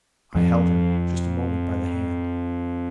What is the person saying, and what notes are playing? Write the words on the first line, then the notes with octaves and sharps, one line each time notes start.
I held her just a moment by the hand.
F2 F3